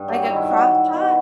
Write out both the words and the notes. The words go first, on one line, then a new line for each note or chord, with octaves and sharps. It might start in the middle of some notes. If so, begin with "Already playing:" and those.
Like a crock pot?
Already playing: G2
F#3 G4
E4
D#3
E4
F#3 F#4
F#3
B2